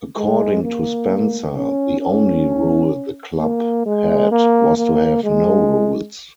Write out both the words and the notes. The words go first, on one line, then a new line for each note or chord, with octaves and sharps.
According to Spencer, the only rule the club had was to have no rules.
G#3
A#3
C#4
C#4
A#3
G#3
A#3
A#3
G#3